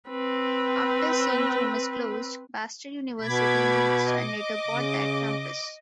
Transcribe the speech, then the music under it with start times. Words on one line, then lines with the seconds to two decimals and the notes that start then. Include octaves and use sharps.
After Saint Thomas closed, Bastyr University leased and later bought that campus.
0.10 C4 B4
3.22 B2 B5 D6 G#6
4.09 D#5 D6
4.68 C#3